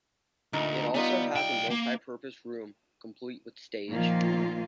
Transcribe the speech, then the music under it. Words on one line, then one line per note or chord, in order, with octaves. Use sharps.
It also has a multipurpose room, complete with stage.
D2 A#2 D#4
G3 B3 D#4 F4 B4
B1 G5
A#3
A#2 D#3 F3 A#3 F4